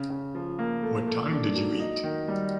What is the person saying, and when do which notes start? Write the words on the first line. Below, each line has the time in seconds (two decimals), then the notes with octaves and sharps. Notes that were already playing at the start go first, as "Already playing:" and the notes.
What time did you eat?
Already playing: C#3
0.10 C#3
0.35 F3
0.59 A#3
0.83 A3
1.07 A3
1.31 D4
1.55 F#3
1.79 D#4
2.04 D#3
2.28 G3